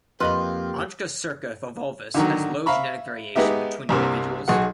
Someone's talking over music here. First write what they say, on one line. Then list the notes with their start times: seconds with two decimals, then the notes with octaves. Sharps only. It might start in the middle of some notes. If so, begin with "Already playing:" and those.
"Onchocerca volvulus" has low genetic variation between individuals.
0.20 F2 A#3 F4 G4 B4 D#5 B5
2.14 D3 D#3 F#3
2.66 E5 F5 A#5 B5 C#6
3.36 G#3 B3 D#4 G4 E5
3.89 C2 G2 C3 A#3
4.48 B1 F#4 G#4 F#5